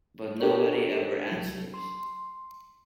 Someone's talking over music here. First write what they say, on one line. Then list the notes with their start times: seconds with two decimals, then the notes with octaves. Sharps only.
But nobody ever answers!
0.40 D4 G4 A4 A#4 C#5
1.32 C2 F#3
1.74 C6